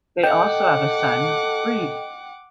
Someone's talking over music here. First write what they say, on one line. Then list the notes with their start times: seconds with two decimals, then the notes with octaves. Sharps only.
They also have a son, Reid.
0.24 A4 D#5 F#5 G5 D6